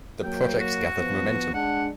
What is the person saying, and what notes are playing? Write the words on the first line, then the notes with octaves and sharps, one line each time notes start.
The project gathered momentum.
F#3 A#3 G5
F#4
F3 B3
G#3 D4 F#5